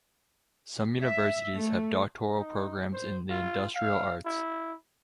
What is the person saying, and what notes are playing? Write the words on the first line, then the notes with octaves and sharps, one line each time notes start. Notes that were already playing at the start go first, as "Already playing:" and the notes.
Some universities have doctoral programs in the Industrial Arts.
E5
A3
D#4
C5
F4
F5
E4